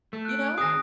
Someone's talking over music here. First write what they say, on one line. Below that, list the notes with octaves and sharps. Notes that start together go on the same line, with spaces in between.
You know?
A3
F#6 D7
D#3 C4 G#4 D#6 A#6